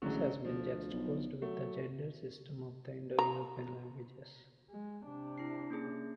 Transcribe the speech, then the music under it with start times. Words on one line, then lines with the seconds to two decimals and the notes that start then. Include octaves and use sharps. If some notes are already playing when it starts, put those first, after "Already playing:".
This has been juxtaposed with the gender system of the Indo-European languages.
0.02 A1 D3 F#3 G#3
0.45 D2 F3
0.93 B1
1.42 F#3 A3
3.19 A#5
4.71 G#3
5.04 C3 D4
5.38 E4 C7
5.70 A#3 C#4 G#4